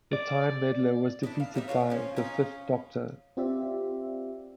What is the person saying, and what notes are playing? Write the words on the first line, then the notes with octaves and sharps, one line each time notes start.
The Time Meddler was defeated by the Fifth Doctor.
D5
D4 E4 D5 D#5
F5
G3 D#4 D5 E5
B2 F3 F4 C#5
F3 C#4
C#4 D#4 F4
C4 F4 G4 D5 E5